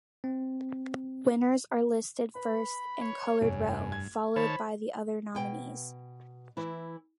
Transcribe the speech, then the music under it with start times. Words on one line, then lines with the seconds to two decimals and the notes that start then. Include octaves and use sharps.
Winners are listed first in colored row, followed by the other nominees.
0.24 C4
2.35 B4 B5
3.01 C#5
3.41 F1 G2 C#5 G#5 D7
3.92 G#6
4.36 D#3 C5 C#5 A5 B5
5.35 B2 G5 G#5
6.57 E3 E4